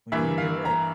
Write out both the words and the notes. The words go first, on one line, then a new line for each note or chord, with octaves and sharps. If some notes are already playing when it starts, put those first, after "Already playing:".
when you get old,
G2 E3 A#3 E5
F5
A#5